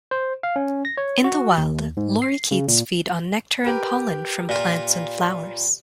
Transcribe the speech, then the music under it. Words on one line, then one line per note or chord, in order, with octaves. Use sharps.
In the wild, lorikeets feed on nectar and pollen from plants and flowers.
C5
F5
C#4
A#6
C#5
F#4
D#2
G#2
C7
C#3
A#2
G4 A#4 B4
A#2 F4